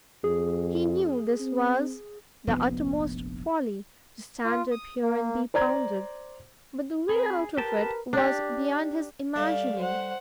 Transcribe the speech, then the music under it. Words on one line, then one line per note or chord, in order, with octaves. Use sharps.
He knew this was the uttermost folly, to stand up here and be pounded, but the way out of it was beyond his imagining.
F2 G#4
C4
F1 A#1 G#2 B3
F4
D#6
A#3
C5 D5 A#5 G#6
C4 G#4 B5
G4 A#4 B4 A5
D4 G4
G3 A3 D5 F5
C5 F#5